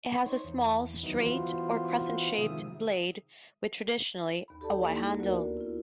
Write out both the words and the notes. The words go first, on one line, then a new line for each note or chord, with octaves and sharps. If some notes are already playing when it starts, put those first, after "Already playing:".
It has a small, straight or crescent-shaped blade with traditionally, a white handle.
D#4 C5 C#5
E2
D#2 F#3 B3 D#4 E4
E3 B3 F4 F#4 C5
C3 D#3 F3 G#3 E5 D#6
D#2 B5
G4 A4 D5 A5
A#3 D#4 E4
D2 B3 F#4 A#4 D5
E4 F4